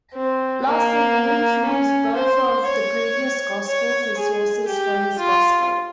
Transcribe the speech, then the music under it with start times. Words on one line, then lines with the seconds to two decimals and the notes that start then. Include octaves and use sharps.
Lastly, Luke used both of the previous gospels as sources for his Gospel.
0.14 C4
0.65 A#3
1.65 C#4
2.16 C5
2.66 C#5
3.67 C#5
4.17 G#4
4.68 G4
5.18 F4